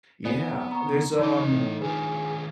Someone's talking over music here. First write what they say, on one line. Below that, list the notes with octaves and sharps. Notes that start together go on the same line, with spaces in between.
Yeah, there's, um,
B3 C5 D5 G#5
A#5 C#6
E3 D#4 C#5 D#5 C6
A2
D#3 D4 F4 G#4 B4